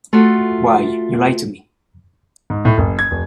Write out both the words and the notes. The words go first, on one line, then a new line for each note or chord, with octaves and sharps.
Why, you lied to me.
A3 F4 F#4 A4
G#2
A2
F#1
G#6
F1